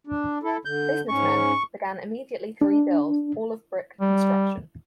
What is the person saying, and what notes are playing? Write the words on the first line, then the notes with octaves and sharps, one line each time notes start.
The businessmen began immediately to rebuild, all of brick construction.
D4
E4 A4
D3 G6
G#2 C#4 C#6
D4
G3